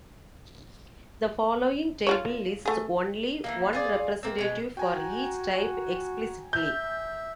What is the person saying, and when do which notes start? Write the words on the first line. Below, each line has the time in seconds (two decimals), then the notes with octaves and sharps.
The following table lists only "one" representative for each type explicitly.
2.07 F4 F#4 C#5
2.66 A3 G#4
3.44 E3 G#3 A#3
3.73 F4 G#4 D5
4.23 A#3 C4
4.38 B2 G#3
4.77 F#4 G5 G#5 A#5
6.53 E5 G6